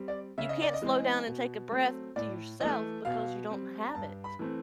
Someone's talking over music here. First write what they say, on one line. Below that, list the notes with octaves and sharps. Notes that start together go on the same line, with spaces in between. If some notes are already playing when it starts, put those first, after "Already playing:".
You can't slow down and take a breath to yourself because you don't have it.
Already playing: G3 C4
D5
C#3 E5
D#5
D5
D#5
E3 G#3 C4
B2
F#3 A3 C4
A2 D5
E3 A3 D#5
B2 F5
G3 C4
A#5
G2 A5
B5
E3 A3 C4